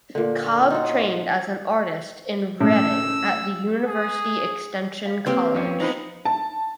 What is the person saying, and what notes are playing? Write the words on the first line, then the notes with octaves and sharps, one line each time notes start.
Cobb trained as an artist in Reading at the University Extension College.
A#2 D3
D#4 F4 F#4
A2 C#4 E6
G#4
F5
A#3 C4 G4 B4 C#5
B4
F2 F3 C#4
E3 F3 B3 D#4 F4 C5 E5
A5